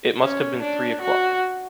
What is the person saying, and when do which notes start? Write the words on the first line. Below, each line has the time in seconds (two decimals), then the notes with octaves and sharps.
It must have been three o’clock.
0.21 C#4
0.61 D4
1.01 F#4